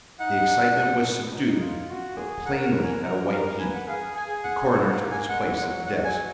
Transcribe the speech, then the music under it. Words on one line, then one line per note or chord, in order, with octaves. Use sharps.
The excitement was subdued, but plainly at a white heat. The coroner took his place at the desk.
D#4 F#5
D4
D4
B3
D#4
F4
F#4
G#4
A#4 F#5
F#5
G#5
A#4 F#5
A#4 F5
B4 G#5
F#5
G#4 F5
G#4 G#5
F#5
A#3 F#5
F#5
G#5
G#3 F#5
F#3 F#5
F#3 F#5
G#5